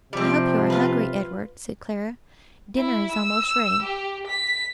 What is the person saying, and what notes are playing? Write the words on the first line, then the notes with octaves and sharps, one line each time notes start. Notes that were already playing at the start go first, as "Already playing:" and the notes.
"I hope you are hungry, Edward," said Clara; "dinner is almost ready."
C3 F3 G3 C4
F4 B4
E4
E6
G4
B6